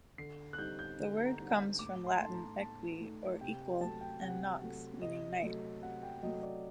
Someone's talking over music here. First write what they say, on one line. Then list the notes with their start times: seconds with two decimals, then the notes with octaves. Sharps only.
The word comes from Latin "equi" or "equal" and "nox" meaning "night".
0.18 D3 C7
0.53 F#6
0.58 G3 C4 D#4 G6
0.79 G6
0.99 D3
1.26 A#5
1.39 G3 C4 D#4
1.79 A2 D6
2.07 C6
2.20 A3 D#4 A5
2.34 A#5
2.60 A2 A5
3.01 A3 D#4
3.41 C3 G5
3.61 G5
3.81 F#3 A3 A5
4.01 G5
4.22 C3 F#5
4.62 F#3 A3
5.02 C3 D#5
5.43 F#3 A3
5.83 C3 F#5
6.03 G5
6.23 F#3 A3 D#5
6.43 D5